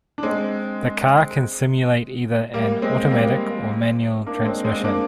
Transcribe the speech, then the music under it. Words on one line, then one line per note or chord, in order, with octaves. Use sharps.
The car can simulate either an automatic or manual transmission.
D4
G#3 C4
G3 A#3
G#3 C4
G3 A#3
A#3 D4
G#3 C4
G#3 C4
A#3 D4